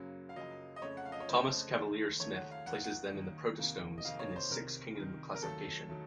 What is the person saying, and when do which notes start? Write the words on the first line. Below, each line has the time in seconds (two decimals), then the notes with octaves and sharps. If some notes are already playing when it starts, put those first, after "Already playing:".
Thomas Cavalier-Smith places them in the protostomes in his "Six Kingdom" classification.
Already playing: F#2 C#3 F#3 A#3
0.29 F5
0.36 F#2 C#3 F#3 A#3 D#5
0.76 D#5
0.82 F2 C#3 A3 C#5
0.97 F#5
1.05 F5
1.12 D#5
1.20 C#5
1.28 F2 C#3 A3 C5
1.74 D#2 D#3 A3
2.20 D#2 D#3 A3 C#5
2.36 F#5
2.51 F5
2.66 D#2 D#3 A#3 F#5
2.84 F#5
3.12 D#2 D#3 A#3
3.59 F2 C3 D#3 A#3
3.98 D#5
4.04 F2 C3 D#3 A#3 F5
4.19 C#5
4.36 C5
4.51 C2 C3 D#3 A#4
4.96 C2 C3 D#3
5.35 A#4
5.42 D#2 D#3 F#3 A3 A4
5.89 D#3 F#3 A3